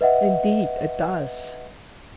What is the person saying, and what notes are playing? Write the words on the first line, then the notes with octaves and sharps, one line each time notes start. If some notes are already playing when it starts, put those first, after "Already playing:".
"Indeed it does."
B4 D#5 E5 F#5